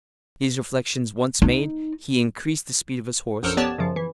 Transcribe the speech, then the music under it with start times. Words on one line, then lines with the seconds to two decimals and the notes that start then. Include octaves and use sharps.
These reflections once made, he increased the speed of his horse.
1.42 D#4
3.43 A#1 F#2 A4 A#4 C5
3.57 B3 G4 C#5 D5 A5
3.78 F#2 C#3 F3
3.96 E3